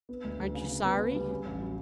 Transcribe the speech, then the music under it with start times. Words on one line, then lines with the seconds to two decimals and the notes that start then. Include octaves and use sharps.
"Aren't you sorry?"
0.09 B3
0.24 D2
0.39 D2
0.55 C#3
0.69 C#3
0.85 B3
1.00 C#3
1.15 G3
1.30 C#4
1.45 A1
1.61 F#3